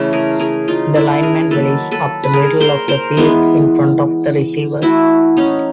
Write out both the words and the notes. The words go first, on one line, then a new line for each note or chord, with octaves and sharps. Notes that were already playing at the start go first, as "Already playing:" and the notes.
The linemen release up the middle of the field in front of the receiver.
Already playing: C#3 E3 A3
G#4 A#4
G#4 A#4
D#4 F4
D4 E4
G#4 A#4
D#3 F#3 A#3 A4 B4
A4 B4
B4
G#4 A#4
A#4 C5
A#4 C5
E3 G#3 B3
E3 A3 E4 F#4
C#4 D#4